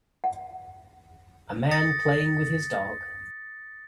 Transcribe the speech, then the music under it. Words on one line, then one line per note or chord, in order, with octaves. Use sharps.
A man playing with his dog.
F#5
D#6 A6 A#6 C#7